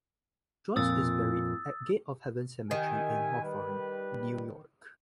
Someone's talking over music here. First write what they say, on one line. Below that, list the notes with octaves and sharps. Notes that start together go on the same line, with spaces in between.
Joyce is buried at Gate of Heaven Cemetery in Hawthorne, New York.
F2 A#2 D#6 E6 A6
D#3 G4 E5 G#5
G3 B4